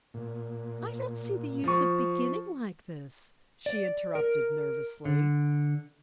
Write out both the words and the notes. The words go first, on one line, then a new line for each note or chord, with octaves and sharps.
"I don't see the use of beginning like this," she interrupted nervously.
A#2
F3 C#6
D5
A#4
D3